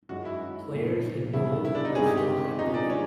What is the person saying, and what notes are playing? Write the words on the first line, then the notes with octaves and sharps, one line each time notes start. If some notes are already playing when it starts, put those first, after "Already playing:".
Players in bold are still active.
F#2 D#3 G#3 F#4
E4
B1 A#2 F3
E2 C#3 E3 G3 B3 E4
E4
D4
D#4
G#1 G2 D#3 G#3 G#4
G4
G4
E2 C3 F3 G#3 C#4 D#4
D4
C#4